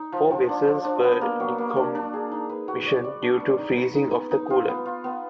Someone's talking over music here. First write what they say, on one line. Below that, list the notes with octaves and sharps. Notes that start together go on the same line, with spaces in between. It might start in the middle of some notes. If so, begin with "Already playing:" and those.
Four vessels were decommissioned due to freezing of the coolant.
Already playing: D#4
F3
F3
D4
F3
D4
B3
A#3
F#3
A#3
D4
D4
G#4
D#4
B4
F#4
D5
D5
D4
B4
D#4
B4
D#4
B3
D#4
F4
B3
F4
B3